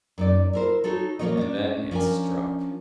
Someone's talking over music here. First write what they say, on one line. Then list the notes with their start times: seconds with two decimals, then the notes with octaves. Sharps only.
And then--it struck!
0.18 F#2 D#4 D5
0.53 E4 A#4 C5
0.84 D#4 F#4 A4 C#5
1.19 A#2 D#3 F3 A#3 C#5 D#5
1.37 C#4 D4
1.91 F3 C#4 D4 A#4 G#5